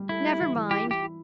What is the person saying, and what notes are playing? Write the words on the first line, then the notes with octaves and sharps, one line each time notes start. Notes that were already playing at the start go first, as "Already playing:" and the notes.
Never mind!
Already playing: G3
A3 E4
G4
E3
E3
E4 G4
E4 G4
E4